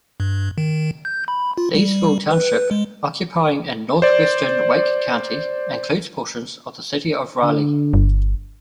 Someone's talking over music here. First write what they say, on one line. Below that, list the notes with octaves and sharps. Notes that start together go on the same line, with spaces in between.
Leesville Township, occupying in northwestern Wake County, includes portions of the city of Raleigh.
G2
D#3
G6
B5
F4
G3
B4
G#3
C5 D5
D3
G1